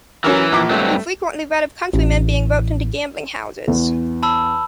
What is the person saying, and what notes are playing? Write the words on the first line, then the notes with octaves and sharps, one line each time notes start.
We frequently read of country-men being roped into gambling-houses.
E3 F#3 C#4 A#4
A#1 A#2 D6
G2 F#3 A3 C4
A1
E2
A5 B5 E6